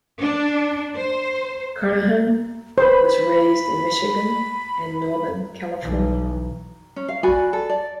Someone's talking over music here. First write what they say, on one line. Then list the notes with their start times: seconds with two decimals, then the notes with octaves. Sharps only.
Carnahan was raised in Michigan and Northern California.
0.21 D4
0.96 C5
2.78 B4 C5 B5
5.83 B1 E3
6.96 C#4
7.09 F5
7.23 F#4 D5 G#5 B5
7.53 A4
7.70 D5